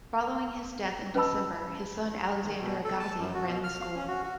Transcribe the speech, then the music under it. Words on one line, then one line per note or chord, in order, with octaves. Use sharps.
Following his death in December, his son Alexander Agassiz ran the school.
C#4 B4 D#5 A5 B5 E6
D#3
B2
A4
A5
F#2
F#4
B2
F6
F5
C#4
F#4
F#4